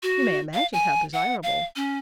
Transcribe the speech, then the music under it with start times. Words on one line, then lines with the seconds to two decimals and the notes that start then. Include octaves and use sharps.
You may imagine how desirable!
0.03 F#4
0.54 F5
0.73 G#5
1.13 F#5
1.43 F5
1.76 C#4